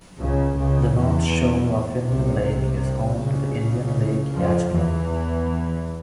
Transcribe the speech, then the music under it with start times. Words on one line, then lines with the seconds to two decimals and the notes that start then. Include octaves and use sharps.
The north shore of Indian Lake is home to the Indian Lake Yacht Club.
0.19 C#2 C#3
0.56 C#2 C#3
0.94 E2 E3
2.07 C2 C3
2.45 C2 C3
3.22 C#2 C#3
4.35 F2 F3
4.73 E2 E3